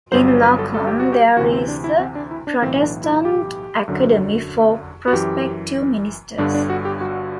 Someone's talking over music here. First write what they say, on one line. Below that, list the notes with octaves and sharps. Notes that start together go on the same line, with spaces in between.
In Loccum there is a Protestant academy for prospective ministers.
G1 G2 F#3 C5
C5
B4
A4
A4
G4
F#4
G4
D2 C3 E3 F#4
C4
D4
E4
C4
D4
E4
D4
B1 A2 E3 C4
D4
E4
G4
F#2 D3 F#3
F#4
F#2 E3 G4
G1 G2 D3 D4
D4
F#4
G4
F#4